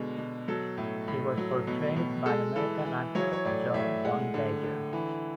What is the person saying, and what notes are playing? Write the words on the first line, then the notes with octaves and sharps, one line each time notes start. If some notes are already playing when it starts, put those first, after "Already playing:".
He was portrayed by American actor Joe Don Baker.
Already playing: B2 D3 G#3
B2
F#3 A4
A2
A2
F#3
B2
B2
G#3 A4
E3 A4
E3
F#3 C#5
C#5
A2 D5
A2 E5
G#3 F#5
D3
D3
E3